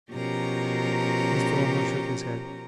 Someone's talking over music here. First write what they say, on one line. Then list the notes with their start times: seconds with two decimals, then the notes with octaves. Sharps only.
Mr. Omer shook his head.
0.12 B2 F3 C#4 G4 A#4 A#5